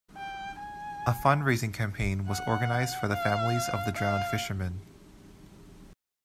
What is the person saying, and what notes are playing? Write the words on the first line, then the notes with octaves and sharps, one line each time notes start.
A fundraising campaign was organised for the families of the drowned fishermen.
G5
G#5
F#5
F5
F5